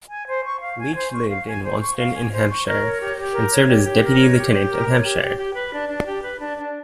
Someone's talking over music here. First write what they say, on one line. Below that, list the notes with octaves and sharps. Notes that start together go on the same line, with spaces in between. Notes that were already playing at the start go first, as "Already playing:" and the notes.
Leach lived at Wonston in Hampshire and served as Deputy Lieutenant of Hampshire.
G#5
C5
C#6
F5
G#5
C5
C#6
F5
G#5
C5
C#6
F5
G#5
C5
C#6
A#4
C#5
G4
G4
A#4
C#5
G4
G4
A#4
C#5
G4
G4
A#4
C#5
G4
G4
G4
B4
D4
D4
G4
B4
D4
D4